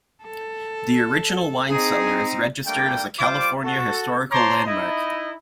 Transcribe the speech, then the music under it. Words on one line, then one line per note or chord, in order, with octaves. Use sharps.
The original wine cellar is registered as a California Historical Landmark.
A4
C4 D#4 G#4
G3 A3 A#3 D4 G5
G3 F4 C5 D6
F#4 A4
C5 C#5 A5 A#5 C6 D6
D#4 E4 D#5